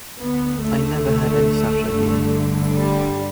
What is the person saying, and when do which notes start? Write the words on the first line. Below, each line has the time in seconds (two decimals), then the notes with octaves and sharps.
I never had any such idea.
0.19 D2 D3 B3
0.62 A3
1.89 G2 D3
2.75 G3